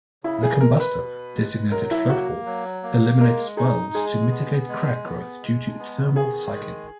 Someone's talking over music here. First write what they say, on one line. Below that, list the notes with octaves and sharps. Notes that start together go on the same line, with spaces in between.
The combustor, designated Floatwall, eliminates welds to mitigate crack growth due to thermal cycling.
C#3 E4
G#4
G#3 A#4
B4
B2
G#3
F#3 A#4
E4
A#3 F#4
F#3
A#3
G#3 A#4
D#4 G#4
G#3 G#4
B3
G#3
B3
G#3
B3
D#3 G#4
G#3